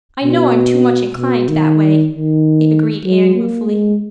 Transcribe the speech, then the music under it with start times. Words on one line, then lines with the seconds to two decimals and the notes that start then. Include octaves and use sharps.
"I know I'm too much inclined that, way" agreed Anne ruefully.
0.24 B2
1.17 B2
1.48 D#3
2.11 D#3
3.04 F#3
3.35 A#3
3.67 G#3